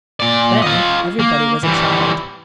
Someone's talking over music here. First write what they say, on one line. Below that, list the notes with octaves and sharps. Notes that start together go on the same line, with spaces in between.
Then, everybody was a child.
A#2 D5
F4 D#5
A#3
E3 G3